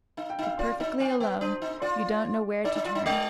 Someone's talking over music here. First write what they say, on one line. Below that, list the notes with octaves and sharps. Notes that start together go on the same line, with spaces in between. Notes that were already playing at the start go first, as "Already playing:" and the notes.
You're perfectly alone; you don't know where to turn.
D#4 F5
G5
D#4 F5
F4 D5
D#4
C4 C5
B3
D4 C5
D#4
F4 D5
D#4 D5
D#4
F4
D#4
G#3 D#5